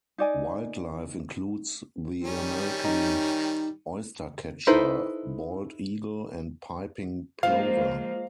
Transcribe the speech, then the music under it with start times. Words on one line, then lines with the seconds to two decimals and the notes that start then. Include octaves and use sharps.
Wildlife includes the American oystercatcher, bald eagle and piping plover.
0.18 D#4 D5 G#5
2.24 D#3 G3 C#4
2.85 D#4
4.67 D#4 E4 A4 B4 C5
7.43 F3 G#3 A#3 F5